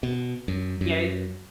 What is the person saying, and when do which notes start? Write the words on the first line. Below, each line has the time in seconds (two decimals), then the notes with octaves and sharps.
Yeah, i
0.03 B2
0.48 F#2
0.81 F#2